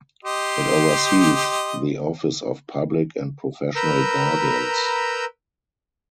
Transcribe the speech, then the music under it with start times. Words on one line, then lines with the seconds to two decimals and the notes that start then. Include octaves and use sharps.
It oversees the Office of Public and Professional Guardians.
0.25 G4 D#5 C6
3.76 A#4 B4 A#5 B5 E6 G6